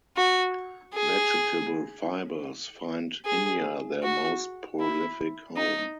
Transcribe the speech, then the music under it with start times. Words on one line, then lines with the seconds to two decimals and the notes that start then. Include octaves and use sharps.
Vegetable fibres find India their most prolific home.
0.17 F#4
0.94 G#4
3.25 G#4
4.03 F#4
4.80 E4
5.57 D#4